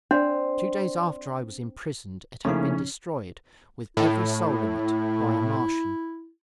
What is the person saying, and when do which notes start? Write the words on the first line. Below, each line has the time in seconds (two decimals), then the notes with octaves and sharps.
Two days after I was imprisoned it had been destroyed, with every soul in it, by a Martian.
0.11 C4 D4 C5 D5 C6
2.45 C#3 F3 A3 A#3 C#4 D#4 E4
3.97 A2 E4